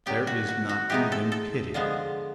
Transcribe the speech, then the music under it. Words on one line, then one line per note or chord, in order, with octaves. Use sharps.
There is not even pity.
D3 F#3 B3 G4
F#4
F#4
F#4
E3 G#3 B3 D#4 G4
A4
A4
D3 F3 G#3 B3